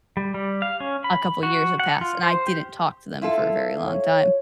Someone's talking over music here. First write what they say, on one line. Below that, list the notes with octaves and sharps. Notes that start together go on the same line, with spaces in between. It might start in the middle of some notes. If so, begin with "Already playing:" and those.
a couple years have passed and I didn't talk to them for a very long time.
G3
G3
F5
C#4
B5
F#4
F#5
F4
C5
G4
E4 F4 A4
C#5